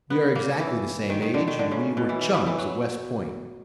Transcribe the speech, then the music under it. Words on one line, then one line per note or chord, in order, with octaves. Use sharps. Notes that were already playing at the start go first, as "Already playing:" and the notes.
We are exactly the same age, and we were chums at West Point.
B3
A#3
E3
D#3
D#3
D3
D#3
D3
C#3
B2
E3
E3
E3
E3
F#3